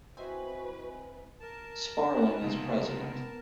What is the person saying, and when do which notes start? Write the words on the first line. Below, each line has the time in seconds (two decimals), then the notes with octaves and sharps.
Sparling as president.
0.17 C4 E4 F#4 B4 C5 D#5 G#5
1.40 A#4 A5
2.19 C#4 F#4 B4 G#5
2.42 C#2 C3 F3 A3 B3 D#4